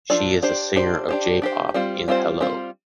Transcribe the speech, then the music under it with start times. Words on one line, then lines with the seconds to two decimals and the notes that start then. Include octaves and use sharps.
She is a singer of J-Pop in Hello!
0.10 F3 D4 F4 A4 D5
0.43 D4 G4 C5
0.76 D4 G4 C5
1.09 D4 G4 C5
1.42 D4 G4 C5
1.74 G3 C4 F4 C5
2.08 G3 C4 F4 C5
2.41 G3 C4 F4 C5